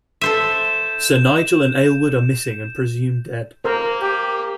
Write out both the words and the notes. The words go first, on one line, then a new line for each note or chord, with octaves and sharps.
Sir Nigel and Aylward are missing and presumed dead.
A4 C5 E5 G6 E7
A#3 A#4 C5
G4